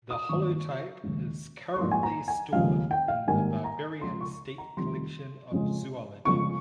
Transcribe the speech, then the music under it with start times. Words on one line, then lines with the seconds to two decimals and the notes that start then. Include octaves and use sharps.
The holotype is currently stored in the Bavarian State Collection of Zoology.
0.10 D#6
0.29 G#1 G2 D#3 A#3 C#6
1.04 F1 D#2 C#3 G#3
1.74 C#6
1.78 A#1 G#2 G3 A#3 C6
1.91 G#5
2.03 A#5
2.28 G#5
2.53 F1 D#2 C#3 F3 G#3 F5
2.91 G5
3.08 F5
3.27 G#1 G#2 G3 A#3 G#5
3.64 A#5
4.01 C#2 C#3 F3 G#3 C6
4.21 C#6
4.58 A#5
4.77 F1 F2 C3 D#3 G3 C6
5.51 F2 C#3 G#3
6.25 G1 F2 C#3 F3 G#3 C#6